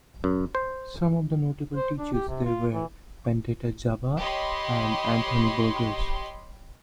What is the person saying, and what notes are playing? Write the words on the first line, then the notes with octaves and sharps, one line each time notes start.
Some of the notable teachers there were Pendeta Za'Ba and Anthony Burgess.
F#2
C5
C5
D4
G4
C3
F4
E3
G4 C#5 D#5 B5 C6